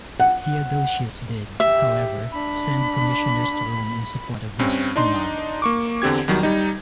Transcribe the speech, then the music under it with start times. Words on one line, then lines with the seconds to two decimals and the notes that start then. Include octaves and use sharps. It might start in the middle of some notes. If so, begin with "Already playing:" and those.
Theodosius did, however, send commissioners to Rome in support of his synod.
0.20 F#5
1.60 G4 E5
2.32 D4 B5
4.59 G2 C4 C#4
4.96 D4 D#4 C6
5.62 A#3 C#6 D6
6.02 E2 D3 C4 G4 G#6
6.28 E2 D#3 F#3 G3
6.43 G3 D#4